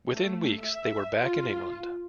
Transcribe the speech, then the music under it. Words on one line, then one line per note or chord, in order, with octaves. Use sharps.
Within weeks, they were back in England.
A3
E5
F4